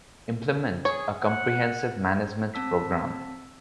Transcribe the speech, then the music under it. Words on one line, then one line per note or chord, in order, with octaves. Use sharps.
Implement a comprehensive management program.
G#4 C#5
F#5
C4 A5 E6 B6